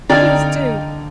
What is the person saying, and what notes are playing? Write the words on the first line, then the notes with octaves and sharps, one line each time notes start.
Please do.
D3 D#4 D5 F5 G5 G#5 A#5